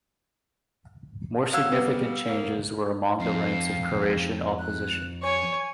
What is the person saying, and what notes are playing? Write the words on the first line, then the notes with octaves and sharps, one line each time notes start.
More significant changes were among the ranks of Croatian opposition.
F#3 F5 E6
G3 B3
A#3
F2 F5
F#6
C#5 G#5